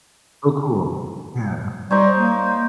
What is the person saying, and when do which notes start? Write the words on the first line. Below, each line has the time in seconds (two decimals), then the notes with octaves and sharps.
Oh, cool, yeah,
1.91 G3 D#4 C5 C#5
2.17 A#3